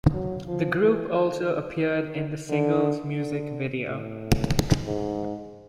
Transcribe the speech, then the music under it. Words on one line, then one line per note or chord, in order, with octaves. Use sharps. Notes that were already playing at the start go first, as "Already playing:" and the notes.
The group also appeared in the single's music video.
F#3
F3
E3
D#3
D#3
D3
D3
A2
G#2